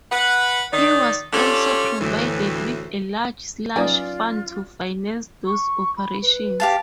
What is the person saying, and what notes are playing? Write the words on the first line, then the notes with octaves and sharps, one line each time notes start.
He was also provided with a large slush fund to finance these operations.
B4 F#5
D#3 D#4 D5
C#4 D4 F4 G4 A4 C#5
D2 A2 E3
F#3 C#4 D#4 F4 B4 D5 G#5 D#6
C#6
B5
B4
G4 F5 A5